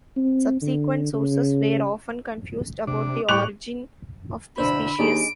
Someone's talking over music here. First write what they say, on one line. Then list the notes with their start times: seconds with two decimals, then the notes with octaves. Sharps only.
Subsequent sources were often confused about the origin of the species.
0.17 C4
0.62 D3
1.13 C#3
2.87 C3 D4
3.29 A2 G3 G4 C#6 D6 F#6 F7
4.58 E2 B2 D3 E3 D4 C5 B5 E6
4.99 D#2 D4 D#4 G#4 D5 D7